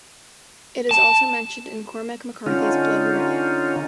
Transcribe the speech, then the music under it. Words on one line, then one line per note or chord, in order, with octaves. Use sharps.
It is also mentioned in Cormac McCarthy's "Blood Meridian".
A5
D3 C#4 D#4 F4